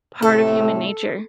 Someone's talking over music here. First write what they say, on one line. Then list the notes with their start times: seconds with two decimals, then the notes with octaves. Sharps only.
part of human nature,
0.22 A2 C3 A3 A4